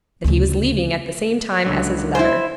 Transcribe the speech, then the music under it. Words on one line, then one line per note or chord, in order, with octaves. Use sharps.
"That he was leaving at the same time as his letter."
D2 C#3
C#2 D3 F#3
E4 C5